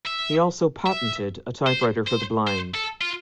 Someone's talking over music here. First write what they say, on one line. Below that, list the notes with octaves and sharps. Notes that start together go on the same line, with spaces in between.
He also patented a typewriter for the blind.
E5
E5
C5
C5
C5
A4
F4